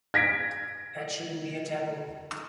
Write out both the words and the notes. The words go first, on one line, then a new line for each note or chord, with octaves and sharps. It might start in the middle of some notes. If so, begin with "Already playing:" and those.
That shouldn't be a taboo.
G#6 A#6 B6 D7